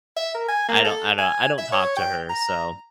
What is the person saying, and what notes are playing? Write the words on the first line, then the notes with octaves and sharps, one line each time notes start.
I don't I don't I don't talk to her, so
E5
A#4
G#5
A#3
A4
G#5
E5
C#5
G5
A#5